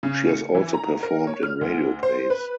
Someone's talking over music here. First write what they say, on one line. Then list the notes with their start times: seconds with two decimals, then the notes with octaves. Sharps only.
She has also performed in radio plays.
0.03 C#3
0.29 C#7
0.55 E3
0.74 A#5
1.03 A#4
1.27 C#5
1.43 F6
1.61 D2
2.03 C5
2.30 B4